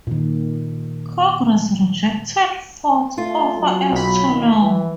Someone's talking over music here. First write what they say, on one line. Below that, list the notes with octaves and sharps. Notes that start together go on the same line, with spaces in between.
Congress rejected Ford's offer as too low.
A#2 D#3
A3 F4
F#3
B1 B5
D#3
E3